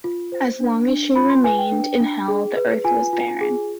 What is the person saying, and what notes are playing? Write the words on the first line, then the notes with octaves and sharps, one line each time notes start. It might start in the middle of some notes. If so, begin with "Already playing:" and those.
As long as she remained in hell, the earth was barren.
F4
C5
D4
D4
F4 B5
C6
B4 G#5
G5
D4
D4
G#4
B4
F4 G#5
F4
G#4